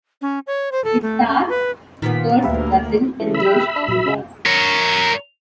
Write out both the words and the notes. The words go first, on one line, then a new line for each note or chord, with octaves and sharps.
It stars Kurt Russell and Josh Lucas.
C#4
C#5
C5
A4
A3
C#4
B4
A#2 D#3 F3 B3 B6
D2 A#3 G4 B4 E5
C#3 E3 A3
E5 B5
G5 F6 F#6
D4
A#1
C#3 G#3
A#4 C#5